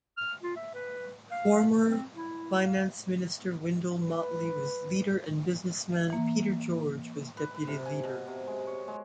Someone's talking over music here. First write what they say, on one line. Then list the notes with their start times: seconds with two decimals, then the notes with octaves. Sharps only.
Former finance minister Wendell Mottley was leader and businessman Peter George was deputy leader.
0.17 F6
0.42 F4
0.56 E5
0.74 B4
1.31 F5
1.87 C4
2.15 E4
2.66 F5
4.02 B4
6.10 E3 A#3
7.37 B4
7.55 B4
7.68 C3
7.85 G#5
8.03 B2
8.27 C3
8.47 G#3
8.67 C#5
8.88 G#3